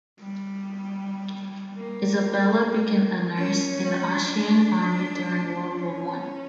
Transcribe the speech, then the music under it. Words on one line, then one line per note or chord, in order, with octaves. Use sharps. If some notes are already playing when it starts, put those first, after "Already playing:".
Isabella became a nurse in the Austrian army during World War One.
G3
A#3
C#4
D4
C#4